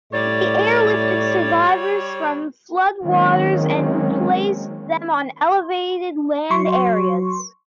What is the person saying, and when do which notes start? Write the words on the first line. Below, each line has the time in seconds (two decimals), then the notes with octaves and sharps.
They airlifted survivors from flood waters and placed them on elevated land areas.
0.13 A2 G3 C#5 D5 A6
3.03 D#3 F#3 G#3 A#3 C4 C#4
6.51 F#3 C6 C#6